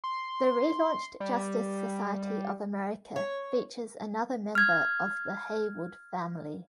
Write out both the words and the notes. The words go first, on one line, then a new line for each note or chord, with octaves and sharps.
The relaunched "Justice Society of America" features another member of the Heywood family.
C6
G3
C#5
F6 G#6